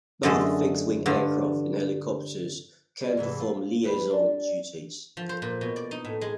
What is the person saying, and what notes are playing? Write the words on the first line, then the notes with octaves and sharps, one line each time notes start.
Both fixed-wing aircraft and helicopters can perform liaison duties.
F#2 D3 G#3 A3
G2 D3
G3 G#3
G#2 C3 E3
F4
D#2 G4 B4
D4
F3
C5
A#2
B2
D5
D#4
A2
G#3